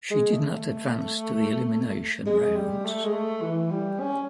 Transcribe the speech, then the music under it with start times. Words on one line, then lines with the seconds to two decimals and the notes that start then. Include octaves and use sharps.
She did not advance to the elimination rounds.
0.11 G#3
0.33 A3
2.26 G#3
2.56 G3
2.85 A3
3.05 G#3
3.13 A3
3.42 E3
3.71 G3
4.00 C#4